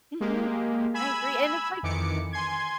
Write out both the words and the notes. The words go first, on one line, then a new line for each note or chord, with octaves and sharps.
Mhm, I agree, and it's, like,
G#3 A#3 G4
G#5 B5 E6 G#6
F2 D#3 E3 D6 C#7
G#5 C6 G#6